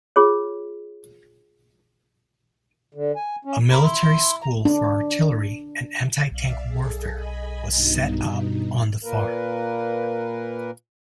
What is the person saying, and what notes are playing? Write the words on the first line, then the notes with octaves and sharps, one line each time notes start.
A military school for artillery and anti-tank warfare was set up on the farm.
F4 G#4 C#5
D3
G#5
C#4
A#4 B5
E4 C6
A#5
D4
B1 D5 E5 F5
G#4 A4
D#5 G#5 B5
G2 B2 D#4
A#2 A#3 A#4 B4